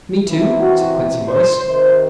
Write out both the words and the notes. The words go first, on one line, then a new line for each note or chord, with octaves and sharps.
"Me too?" said Quincey Morris.
C3 E3 E4
F#4
C5
C3 D#3 C5